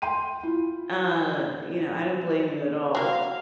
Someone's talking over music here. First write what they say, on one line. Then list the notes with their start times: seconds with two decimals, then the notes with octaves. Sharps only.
uh you know, I don't blame you at all.
0.02 G5 C6 D#7
0.43 E4 F4
2.95 F#3 A#3 F5